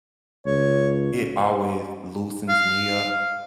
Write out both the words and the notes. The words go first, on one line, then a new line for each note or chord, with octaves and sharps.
it always loosens me up.
C#2 C#5
F5